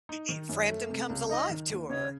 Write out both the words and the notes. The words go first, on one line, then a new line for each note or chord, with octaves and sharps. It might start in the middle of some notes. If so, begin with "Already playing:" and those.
E Frampton Comes Alive tour.
D#4
D#3
F#2
A3
C3
C#2
D#4 D#5
D#3
D#2
C#3 C#5